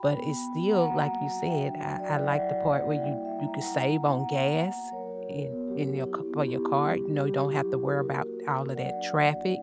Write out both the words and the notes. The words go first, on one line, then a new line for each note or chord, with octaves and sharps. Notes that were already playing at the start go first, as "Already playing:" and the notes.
But it's still, like you said, I I like the part where you you could save on gas in in your ca for your car, you know, you don't have to worry 'bout all of that traffic.
Already playing: F#4 G5 B5
B3
B3
F#4
A#3 F#5 A#5
F#4
F#3
F#4
F#4 E5 G5
D4
F#3
E4 D5
E5
F#3 D5 F#5
F#4
A#3
E4
G3 E5 G5
E4
E5 G5
F#3 A#5
G5
E4 F#5 A#5
E4
B3
A#3 F#5 A#5
F#4
A#3
F#4
F#3 A#4 C#5
F#4
F#4
B3
F#3 G4
F#4
E4
B3
E4 G4
C#4
G3
F#4
F#3 G4
E4
F#3
F#4
A#3 F#4 A#4
F#4
A#3
F#4
F#3 D5 F#5
D4
A#3
E4